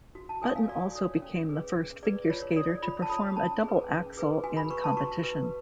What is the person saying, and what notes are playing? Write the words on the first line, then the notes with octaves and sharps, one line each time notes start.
Button also became the first figure skater to perform a double axel in competition.
F#4
A5
A4 C#5 G#5
F5
F#4 D5
A4 C#5
C#4
G#4 B4
C#4
G#4 B4 D5
F4 C#5
C#5
A4 C#5 D5
D5
F4 B5
A5
A4 C#5 B5
C#4 A5
G#4 B4
C#4
G#4 B4
F#4 G#5
B5
B4 C#6
A5
F#4 C#6
B4